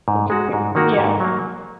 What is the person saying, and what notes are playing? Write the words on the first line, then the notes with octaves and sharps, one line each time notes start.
Would you agree with yeah.
G#2
G#3 F#4
G#2
D#3 A#3 F#4 A#4
G#2
F#3 A#3